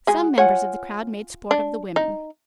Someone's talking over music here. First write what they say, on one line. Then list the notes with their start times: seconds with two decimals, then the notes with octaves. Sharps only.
Some members of the crowd made sport of the women.
0.07 G#3 F#4 G#4
0.38 F4 C#5 F#5 G#5
1.51 D4
1.96 D#4